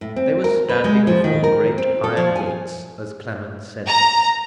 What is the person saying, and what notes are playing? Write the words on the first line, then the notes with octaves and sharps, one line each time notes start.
They were standing before the great iron gates as Clement said this.
A2
C4
A#4
B4
G#3
F3
D#3
A#4
C4
A4
F3
G#5
A#5